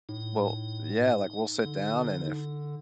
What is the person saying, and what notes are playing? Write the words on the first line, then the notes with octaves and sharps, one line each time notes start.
Well, yeah, like we'll sit down and if,
A2 D#4
D3